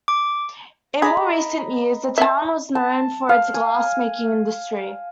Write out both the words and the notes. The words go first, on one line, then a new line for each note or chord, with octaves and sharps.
In more recent years the town was known for its glass making industry.
D6
G#4 D#5 A#5 B5
E5 A5
A5
F5
G#5